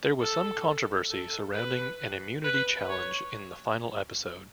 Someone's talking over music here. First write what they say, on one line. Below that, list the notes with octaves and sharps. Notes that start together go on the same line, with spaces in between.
There was some controversy surrounding an immunity challenge in the final episode.
A4
A4
B4
B4
C#5